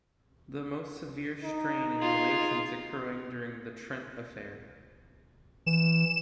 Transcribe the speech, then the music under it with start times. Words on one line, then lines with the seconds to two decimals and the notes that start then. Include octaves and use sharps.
The most severe strain in relations occurring during the Trent Affair.
1.44 D#4
1.97 F4 G#4
5.66 E3 E7